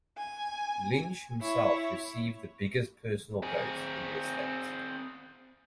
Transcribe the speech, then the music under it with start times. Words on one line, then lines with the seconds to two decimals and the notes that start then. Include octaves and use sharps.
Lynch himself received the biggest personal vote in the state.
0.17 G#5
1.41 E4 C#5
3.43 C4 G#4